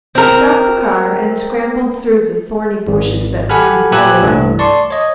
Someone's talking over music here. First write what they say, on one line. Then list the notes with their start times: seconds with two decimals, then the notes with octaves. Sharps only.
We stopped the car and scrambled through the thorny bushes that lined the road.
0.15 C4 A#4
2.87 G#1
3.49 G4 A4 F#5 G#5 B5 F6
3.92 A#2 G4 B4 G#5 E6 F#6
4.22 C2 G2 E3 A3
4.59 D5 A5 C6 C#6
4.91 C#5 D#5